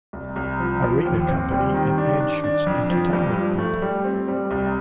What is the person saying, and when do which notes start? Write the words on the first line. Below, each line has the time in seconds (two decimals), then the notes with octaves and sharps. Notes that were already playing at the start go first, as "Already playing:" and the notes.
Arena Company and Anschutz Entertainment Group.
0.13 C2
0.36 C2
0.60 F3
0.82 F3
1.05 D#2
1.28 C4
1.51 G3
1.74 D#3
1.98 D4
2.20 D4
2.44 D4
2.66 F2
2.89 F3
3.13 G2
3.35 F3
3.58 A3
3.82 G3
4.04 C4
4.28 G3
4.51 C2